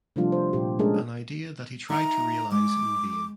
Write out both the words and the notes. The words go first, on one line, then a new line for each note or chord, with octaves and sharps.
An idea that he tried to realize in vain.
C3 F3 G3 A3 D4 F4
C5
A#2 C4 G4
G#3 A3 C#4 D4 G#4 A#4
D#4 E5 A#5
G#3 D6